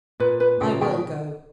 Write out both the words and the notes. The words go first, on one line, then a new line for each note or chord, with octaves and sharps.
'I will go.
A#2 B4
B4
A#2 C#3 G5
B2 D#3 G5